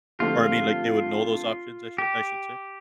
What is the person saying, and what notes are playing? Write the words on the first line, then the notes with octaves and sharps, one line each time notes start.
or I mean, like, they would know those options I should I should say.
D3 F3 A3 C4 F4 G4
G4